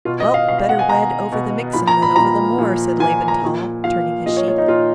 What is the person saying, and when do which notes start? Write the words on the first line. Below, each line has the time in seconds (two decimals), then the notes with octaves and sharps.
"Well, better wed over the mixen than over the moor," said Laban Tall, turning his sheep.
0.05 B2 F4
0.20 D#5
0.34 F5
0.48 B2 F5
0.58 F5
0.69 F#5
0.79 G#5
0.89 B2 A#5
1.32 B2
1.73 A#2 F3 B5
1.87 A#5
2.02 B5
2.16 A#2 F3 A#5
2.58 A#2 F3
3.00 A#2 F3 G#5
3.28 A#5
3.42 A#2 F3
3.84 A#2 F3 F5
4.26 A#2 F3 D#5
4.37 C#5
4.48 C#5
4.58 D#4
4.68 A#2 F3 F4